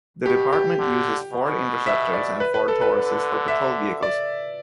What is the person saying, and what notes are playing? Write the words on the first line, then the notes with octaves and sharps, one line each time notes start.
The department uses Ford Interceptors and Ford Tauruses for patrol vehicles.
B2 G4
G4
D3
B2
E5
D5
B4
B4
A4
B4
D3
E5
D5